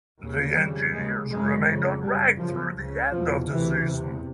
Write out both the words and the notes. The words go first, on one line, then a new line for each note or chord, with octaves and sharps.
The Engineers remained unranked through the end of the season.
D#2 C#3
F2 C#3 G3
D#2 C#3 G#3
F#2 C#3 G#3
F2 C#3
F#2 C#3 G3
F#2 C#3 F3
C#2 C#3
E2 B2 F3
D2 C3 E3
E2 C3